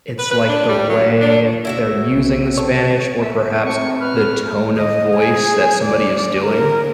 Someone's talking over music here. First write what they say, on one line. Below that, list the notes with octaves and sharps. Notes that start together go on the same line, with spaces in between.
it's, like, the way they're using the Spanish or perhaps the tone of voice that somebody is doing.
B4
B4
D4
G3
F#3
D4
E4 F#4 E5
B1
C4 A4 C#5
A3 E5
C3 D#3 A3 C4 C#6
E2 B4 F6
D#5
G#4
D5
A#4